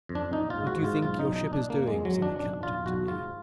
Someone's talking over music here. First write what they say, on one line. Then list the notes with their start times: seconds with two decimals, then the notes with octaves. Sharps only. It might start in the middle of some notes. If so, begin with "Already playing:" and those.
"What do you think your ship is doing?" said the captain to me.
0.09 F2
0.15 D4
0.33 A#1 D#4
0.50 F4
0.56 G#2
0.67 F#4
0.79 G#2 F4
1.02 B1 F4
1.19 D#4
1.25 B1
1.36 D#4
1.47 A#2
1.53 D4
1.70 F2 A#3
1.88 G#3
1.94 F2
2.05 F#3
2.17 D#3
2.22 D4
2.39 B1 D4
2.62 B1 F4
2.86 B1 F#4
3.08 G#2 F4